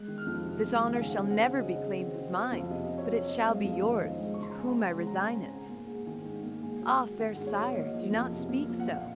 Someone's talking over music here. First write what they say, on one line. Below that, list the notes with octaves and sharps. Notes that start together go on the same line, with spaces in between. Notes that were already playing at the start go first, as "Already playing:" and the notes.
This honour shall never be claimed as mine, but it shall be yours, to whom I resign it." "Ah, fair sire, do not speak so.
Already playing: G#3 F#6
D#3
F6
F2
C3
G#3
D#3 F5
F#5
C#3 G#5
C4
F#5
C#3
F#3 D#5
C#3
C4
C4
F#3
F2
F5
C3 D#5
C4
C#5
F#3
C4 D#5
G#3
F5
F2
F5
D#3 D#5
C4
D#5
G#3
C#6
C#3
C6
A#5
C4 G#5
F#5
C#3
G#3 G#5
A#5
C#3
G#5
C4
G#2
A#3
G#2
D#3 G#5
G#2
A#3
G#2 G#5
F#3
G#2
D#3 F#5
G#2
C#5
F#3
A#3 D#5
F3
F2
C3
A#3
F3
F#5
A#2 F5